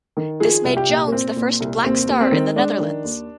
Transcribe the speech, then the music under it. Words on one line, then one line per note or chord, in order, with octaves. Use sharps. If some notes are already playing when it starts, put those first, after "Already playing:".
This made Jones the first black star in the Netherlands.
D#3
F3 G#4
C2
G4
A#2
A#3
A#2 C4
A#2
C2
D#2 C4
D#2
C4
D#3
G#3 D4
D#3
D#2